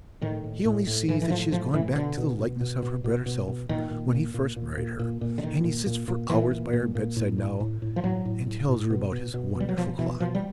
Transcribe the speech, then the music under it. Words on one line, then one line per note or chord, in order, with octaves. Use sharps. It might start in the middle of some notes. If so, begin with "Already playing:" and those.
He only sees that she has gone back to the likeness of her better self when he first married her; and he sits for hours by her bedside now, and tells her about his wonderful clock.
A2 D#3
A2
A2
A2
A2 E3
E3
A2 F3
A2 F3
A2 E3
B2 D3
B2
B2
B2
B2
B2
B2
B2
A#2 D#3
A#2
A#2
A#2
A#2
A#2
A#2
A#2
D3
A#2 D#3
A#2
A#2
A#2
A#2 E3
A#2
A#2
A#2
A2
A2
A2
A2
F3
A2 F#3
A2
A2
A2
B2
B2
B2
B2
G3
F#3
B2 F3
B2 E3
B2 F3
G3